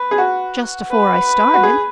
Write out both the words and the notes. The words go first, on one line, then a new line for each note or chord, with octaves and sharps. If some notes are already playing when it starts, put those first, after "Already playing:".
"Just afore I started."
Already playing: B4
G#4
F#4
B4
F#4
G#4